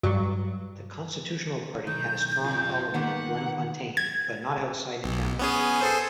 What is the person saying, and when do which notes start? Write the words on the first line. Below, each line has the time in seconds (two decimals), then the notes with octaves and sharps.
The Constitutional Party had a strong following in Bloemfontein, but not outside the capital.
0.03 G2 F#3
1.87 B1 D#3 G6
2.45 C4 F4
2.94 D#3 A#3 B3 F#5
3.97 G#6
5.04 B1
5.39 B3 C#4 G#4
5.81 G#4 A4 C5